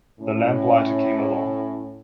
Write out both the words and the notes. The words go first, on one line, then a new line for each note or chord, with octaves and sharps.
The lamplighter came along.
A2 C#4